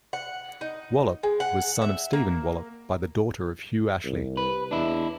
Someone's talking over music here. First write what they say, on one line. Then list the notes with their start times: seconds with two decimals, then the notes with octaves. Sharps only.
Wallop, was son of Stephen Wallop by the daughter of Hugh Ashley.
0.13 F#5
0.61 D#4
1.23 G#3
1.40 F#5
1.82 E5
2.13 A#3
4.04 C2
4.37 B4
4.71 E2 D4 E4